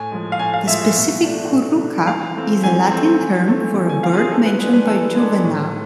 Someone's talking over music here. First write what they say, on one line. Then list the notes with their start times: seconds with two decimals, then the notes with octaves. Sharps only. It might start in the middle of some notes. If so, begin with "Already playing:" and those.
The specific "curruca" is a Latin term for a bird mentioned by Juvenal.
Already playing: A2 G#5
0.11 F3 G#3
0.32 F5
0.39 A2 G#5
0.54 F5
0.67 F3 G#3 E5
0.81 E5
0.96 B2
1.24 A3 D4
1.51 B2
1.79 A3 D4
2.07 E3 F5
2.35 A3 C4
2.64 E3 G#5
2.91 A3 C4
3.20 E3
3.47 A3 C4
3.76 E3
3.89 G#5
4.03 A3 C4 F5
4.13 F4
4.17 G#4
4.31 E3 A4
4.46 B4
4.59 G#3 D4 B4
4.73 B4
4.87 E3 A4
5.15 G#3 D4
5.43 A2